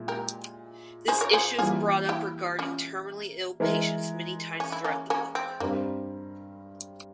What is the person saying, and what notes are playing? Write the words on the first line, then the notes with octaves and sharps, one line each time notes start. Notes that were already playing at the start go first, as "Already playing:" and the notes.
This issue is brought up regarding terminally ill patients many times throughout the book.
Already playing: A#2 G#3 E4
G4 A#4
G#4 C5
A#4 C#5
G#4 C5
E3 G3 A#3 F4 G#4
E4 G4
C#4 F4
E3 G#3 E4 A#4
C#4
E4
A#3 C#4
A#3 C#4
C4
G2 G3 A#3 C4 G4 A#4